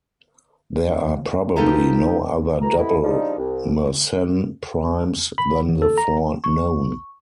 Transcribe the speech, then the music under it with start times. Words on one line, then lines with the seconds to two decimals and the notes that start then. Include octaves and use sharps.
There are probably no other double Mersenne primes than the four known.
1.56 A#3 B3 D#4 F4 G4 A4
2.62 D2 E3 A#5
2.77 C3 A3 B3 E4 D#5 B5
3.03 C#3 F3 G3 D4 D#4
3.37 C2
5.38 B5
5.69 E2
5.82 A4
5.98 A#5
6.44 C#6